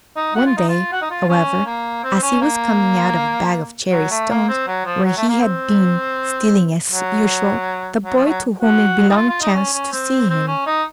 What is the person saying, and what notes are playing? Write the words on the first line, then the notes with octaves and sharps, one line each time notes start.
One day, however, as he was coming out of a bag of cherry stones, where he had been stealing as usual, the boy to whom it belonged chanced to see him.
D#4
F#4
F4
D#4
F4
F#4
D#4
F4
C#4
A#3
C4
C#4
A#3
F#3
A3
A#3
C4
F#3
F3
F#3
A3
A#3
C4
F#3
F#3
F3
A3
F#3
F#4
D#4
F4
F4
D#4
C#4
C#4
C4
C4
C#4
D#4